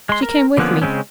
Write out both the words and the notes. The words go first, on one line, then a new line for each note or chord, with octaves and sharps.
She came with me.'
G#3 C6
A#4
D3 F3 A#3 B3 C#4
C#3 F3 G#3 C4 C#4